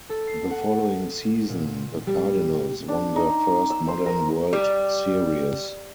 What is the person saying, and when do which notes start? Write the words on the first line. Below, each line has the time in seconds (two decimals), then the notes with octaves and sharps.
The following season, the Cardinals won their first modern World Series.
0.09 A4
0.27 C7
0.50 F#5
1.49 A#2
2.07 G3
2.88 D4
3.16 D#4
3.70 E6
3.88 C5
4.06 A#4
4.53 G3